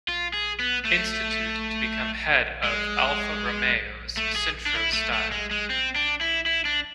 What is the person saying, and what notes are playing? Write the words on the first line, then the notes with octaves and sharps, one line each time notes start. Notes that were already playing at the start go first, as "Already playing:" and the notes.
Institute to become head of Alfa Romeo's Centro Stile.
F4
G#4
B3
A3
G#3
A3
G#4
D4
E4
A3
A3
G#3
G#3
C4
D4
E4
E4
D4